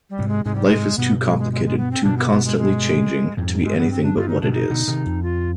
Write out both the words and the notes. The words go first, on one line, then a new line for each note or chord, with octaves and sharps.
Life is too complicated, too constantly changing, to be anything but what it is.
G3
G#2 C3
G#3
G#2 C3 G#3
G3
G#3
G2 B2 B3
G#3
G#3
G#3
G#3
B3
C4
G2 B2 D4
B3
B3
G#3
G#3
F2 G#2
G2 G#3
B3
C4
D4
G2 F4
D#4
G2 B2 D4
D#4
B2 D3
C3 D#3
F2
F4